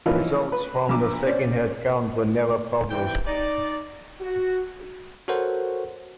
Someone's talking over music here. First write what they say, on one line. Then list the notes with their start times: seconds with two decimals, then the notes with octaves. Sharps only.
Results from the second head count were never published.
0.06 E3 F3 A#3 C#4 D#4 F4
0.52 B4
0.89 A#1 D6
1.26 C#4 C5 D5
2.90 C3 E3 G5
3.27 D#4 D5
4.21 F#4
5.28 F#4 A4 A#4 C5 C#5 F#5